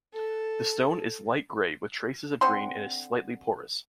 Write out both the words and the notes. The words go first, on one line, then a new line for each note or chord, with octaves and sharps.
The stone is light grey with traces of green and is slightly porous.
A4
D3 C4 C6